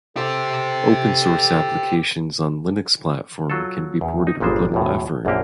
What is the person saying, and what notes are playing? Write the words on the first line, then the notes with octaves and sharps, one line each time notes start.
Open source applications on Linux Platform can be ported with little effort.
G4 A4 C5
F#3 F4 A4
E2
D#4
G1 A#2 G3 G#3 C5
B1 E2 A2
A#1 F#2 D3 A#3 G4